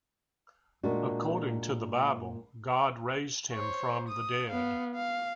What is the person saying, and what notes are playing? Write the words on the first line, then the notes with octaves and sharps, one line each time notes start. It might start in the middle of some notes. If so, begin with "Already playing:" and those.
According to the Bible, God raised him from the dead.
A#2 G#3 D4 F#4
C5 C#5
D#6
B3 F5
F5